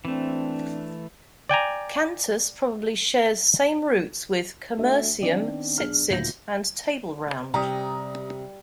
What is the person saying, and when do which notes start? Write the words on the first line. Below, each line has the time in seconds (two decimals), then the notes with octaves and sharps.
Cantus probably shares same roots with Commercium, Sitsit and Tableround.
0.05 E3 A3 C4 D4
1.49 D5 G5 G#5 A#5
4.77 A3 D4 F#4 A4 E5
5.21 D#3 B3 C4 D4 D5
5.78 B1 D4 G#4 F6
6.10 D2 A#2 D#3 G6 A#6
7.54 C3 G3 A#5 D#6